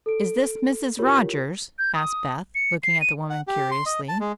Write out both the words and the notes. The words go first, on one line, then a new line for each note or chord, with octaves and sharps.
"Is this Mrs. Rogers?" asked Beth, looking at the woman curiously.
A4 D7
E4 F4 G4 A#4 C#5
G6
D#6
C#7
C7
D#7
F#5
G4
C6
D#5
A5
G#3